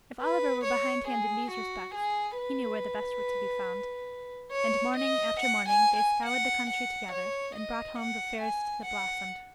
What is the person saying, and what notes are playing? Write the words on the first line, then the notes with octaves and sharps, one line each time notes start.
If Oliver were behindhand in these respects, he knew where the best were to be found; and morning after morning they scoured the country together, and brought home the fairest that blossomed.
B4
C#5
G#4
F#4
G#4
B4
C#5
D#5
F#5
G#5
G#5
F#5
F#5
C#5
D#5
F#5
G#5
F#5